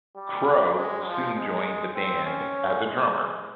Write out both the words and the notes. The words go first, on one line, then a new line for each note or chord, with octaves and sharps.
Crowe soon joined the band as a drummer.
G3
G#3
F3
G#3
C4
C#4
G#3